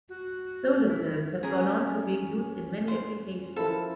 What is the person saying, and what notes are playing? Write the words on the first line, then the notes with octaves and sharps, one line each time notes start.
Solar cells have gone on to be used in many applications.
F#4
E4
C#4 G#4 A#4
C5
F3 E4 A4 A#4